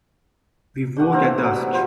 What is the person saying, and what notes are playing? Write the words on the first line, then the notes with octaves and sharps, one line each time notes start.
We woke at dusk.
D4 G4 F#5 C#6
A#3 C4
A3
F#3 B4
G3 B3
F3 F#3 C5